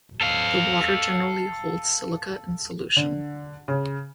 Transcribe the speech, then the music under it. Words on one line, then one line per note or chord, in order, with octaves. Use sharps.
The water generally holds silica in solution.
A4 F5
D3
C#3